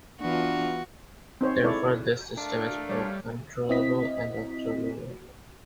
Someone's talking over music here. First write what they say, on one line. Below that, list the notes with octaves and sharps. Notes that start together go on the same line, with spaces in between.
Therefore, this system is both controllable and observable.
E3 B3 D4 F4 F#4
C4 D#4 C5 C#5
G#3 E4 A4 C#5 D5
A3 D4 A#4 F5
G3 C#5 D5
C4 E4 D#5 B6